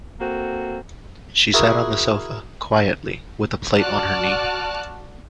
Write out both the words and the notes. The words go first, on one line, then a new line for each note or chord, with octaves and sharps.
She sat on the sofa, quietly, with a plate on her knee.
A#3 C4 F#4 A4
E4 F#4 G#4 A#4
F#4 D5 A5 F6 F#6